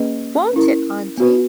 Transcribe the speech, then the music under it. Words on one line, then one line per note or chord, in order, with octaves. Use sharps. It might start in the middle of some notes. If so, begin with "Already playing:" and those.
Won't it, auntie?
Already playing: A#3 C#4 G#4 B4 D#5
C#4 E4 A#4
B3 F#4 B4